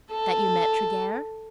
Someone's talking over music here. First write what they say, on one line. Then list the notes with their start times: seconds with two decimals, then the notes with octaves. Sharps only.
"That you met Tregear?"
0.11 A4